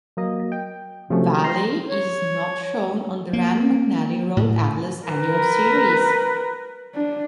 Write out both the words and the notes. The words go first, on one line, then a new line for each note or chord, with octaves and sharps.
Valle is not shown on the Rand McNally Road Atlas annual series.
F#3 A#3 D#5
G5
C3 F3 F#3 A3 C#4
A#5 C6
C#5
A#3
A2
A#4 B4
D4